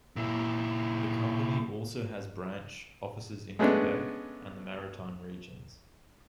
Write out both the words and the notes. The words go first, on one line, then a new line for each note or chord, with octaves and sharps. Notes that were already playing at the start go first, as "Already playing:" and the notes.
The company also has branch offices in Quebec and the Maritime Regions.
A#2 E4
G#3 A3 B3 C#4 D4